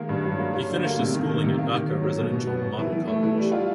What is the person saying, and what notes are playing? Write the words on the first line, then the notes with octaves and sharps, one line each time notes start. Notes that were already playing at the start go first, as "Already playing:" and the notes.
He finished his schooling at Dhaka Residential Model College.
Already playing: D#3 G#3 A#3
G2
F#3
A#3
F#3
D3
A#3
C3
D#3
D#3
C3
A#3
D#3
F#3
F#3
B2
B2
B3
B2
E3
E3
A3
E3
G3
F4